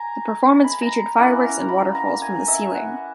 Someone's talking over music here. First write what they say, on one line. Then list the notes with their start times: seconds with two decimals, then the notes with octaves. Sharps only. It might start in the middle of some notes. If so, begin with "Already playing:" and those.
The performance featured fireworks and waterfalls from the ceiling.
Already playing: G#5 A#5
0.64 B5
0.82 A#5
1.17 A#3 C#4 E4 F#5
1.43 A#5
1.69 B5
1.95 A#5
2.22 G#5
2.48 E5
2.74 F#5